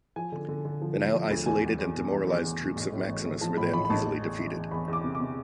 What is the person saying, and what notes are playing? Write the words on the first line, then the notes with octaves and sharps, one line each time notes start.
The now isolated and demoralized troops of Maximus were then easily defeated.
F3 G#5
D3
D3
D3
F3
F3
F3
D2
E2 G#5
E2
E2
B2
E2
E2
E2
B2
A1
A2
A1
A1
F3 A5
A2 B5
A1 B5
B5
A1 A5
E2
E2
E3
E2
E2 B5
E2
D6
C3
D6
C3